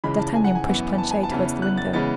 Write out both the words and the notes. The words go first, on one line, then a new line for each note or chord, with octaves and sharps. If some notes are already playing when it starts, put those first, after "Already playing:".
D'Artagnan pushed Planchet towards the window.
C#2 C#3 E3 G#3 B5
A5
G#5
F#5
G#5
F#2 E3 B3
A5
G#5
A5
E2 C#3 E3 B3
F#6
A6
C#3 E3 G#3 B3 A6